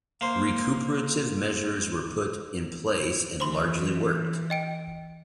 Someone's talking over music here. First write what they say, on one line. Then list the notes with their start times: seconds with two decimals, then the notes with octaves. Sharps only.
Recuperative measures were put in place and largely worked.
0.21 A#3 C5
3.40 E3 C5 B5 C6
4.50 D#5 G5 D7